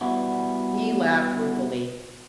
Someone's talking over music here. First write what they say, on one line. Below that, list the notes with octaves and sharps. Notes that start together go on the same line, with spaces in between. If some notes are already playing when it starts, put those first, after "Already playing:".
He laughed ruefully.
G3 B3 E4 F#4